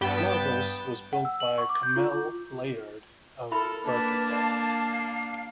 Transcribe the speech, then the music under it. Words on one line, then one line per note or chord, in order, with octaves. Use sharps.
"Lagos" was built by Cammell Laird of Birkenhead.
G2 B3 G5 A6 E7
F#5
E6
F#7
C#6
D6
G6
F4
E4 A4 A#4 E5 B5
A#3 D4 B4 A5
D5 D#5 F5